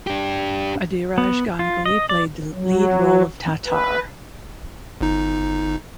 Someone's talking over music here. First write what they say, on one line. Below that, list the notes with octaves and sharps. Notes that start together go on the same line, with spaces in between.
Adhiraj Ganguly played the lead role of Tatar.
D4 G4
B3
F4
D#5
D5
F#3
B4
G1 D#4